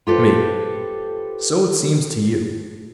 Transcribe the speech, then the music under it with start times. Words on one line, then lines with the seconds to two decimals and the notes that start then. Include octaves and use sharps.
ME: So it seems to you.
0.07 F4 G4 A4 B4 C5